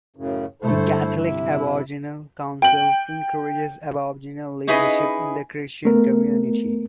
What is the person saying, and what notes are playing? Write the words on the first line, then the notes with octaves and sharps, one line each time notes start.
The Catholic Aboriginal Council encourages Aboriginal leadership in the Christian community.
F#2 A2 C#3
G1 A3 E4 A4 C5
C3 E4
G5 F#7
C#4 D#4 E4 G#4 B4 D#5
A3 B3 A#4